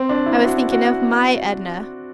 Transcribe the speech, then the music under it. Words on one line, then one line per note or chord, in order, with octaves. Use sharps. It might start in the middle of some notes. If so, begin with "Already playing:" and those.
I was thinking of MY Edna.
Already playing: C4
D4
E4
F#4
F#4